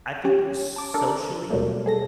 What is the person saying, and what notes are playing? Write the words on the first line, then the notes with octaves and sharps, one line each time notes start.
I think socially,
C#4 G4
A5 D6
D4 A4 A#4
D#2 B2 F#3 G3 A3 A#3
G#4 A4 A#6